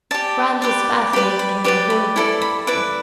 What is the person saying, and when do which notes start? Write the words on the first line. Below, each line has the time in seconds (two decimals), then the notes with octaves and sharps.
Franz was fascinated by the horrible spectacle.
0.11 G4 D5 A5
0.62 G4 B4 D5
1.13 G4 B4 D5 B5
1.39 B5
1.64 G4 B4 D5 D6
1.90 B5
2.16 E4 A4 D5 B5
2.41 B5
2.67 E4 B4 D5 D6